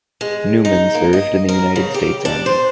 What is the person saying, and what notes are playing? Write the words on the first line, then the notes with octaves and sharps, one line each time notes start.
Newman served in the United States Army.
G#3
D#4
A#3
D#5
A#4
C#3
G4
D4
C5